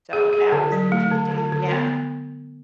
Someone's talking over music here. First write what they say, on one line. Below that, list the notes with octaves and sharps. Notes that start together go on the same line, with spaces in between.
So that was interesting, yeah.
G#4
G#4
D3
F#3
A3
D3
D3
D3
B3